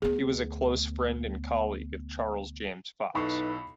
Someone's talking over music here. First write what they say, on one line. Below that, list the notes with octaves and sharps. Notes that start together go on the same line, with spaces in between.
He was a close friend and colleague of Charles James Fox.
D2 B3 G#4
B1 D#4 E4 A4 B4 B5 C#6 C7